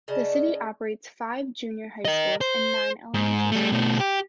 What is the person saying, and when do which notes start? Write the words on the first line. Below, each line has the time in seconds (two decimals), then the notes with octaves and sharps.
The city operates five junior high schools and nine elementary schools.
0.08 C#3 D5 D#5 A5
2.05 A#4 D#5
2.41 C5
3.14 G#2
3.52 G3 A3
3.72 B2 A3
4.00 G4